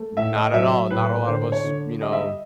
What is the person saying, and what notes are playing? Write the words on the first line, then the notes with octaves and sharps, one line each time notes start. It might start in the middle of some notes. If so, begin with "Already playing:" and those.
Not at all. Not a lot of us, you know,
Already playing: A3
A2 E5
D#5
F#3 E5
A2 B4
D3 C5
C#5
D3
G3 D#5
E5
D#5